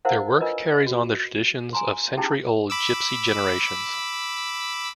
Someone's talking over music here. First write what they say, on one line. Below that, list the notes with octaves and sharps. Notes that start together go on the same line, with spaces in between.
Their work carries on the traditions of century old gipsy generations.
E4 A#4 C5 F5 F#5
D4 F4 A#4 B4 D#5
F#4
G#5 A#5 C6
C#4 D#4 E4 G4 G#4 G5
B5 D6 E6